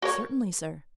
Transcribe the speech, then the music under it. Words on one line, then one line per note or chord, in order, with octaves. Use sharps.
"Certainly, sir."
F#4 A#4 C#5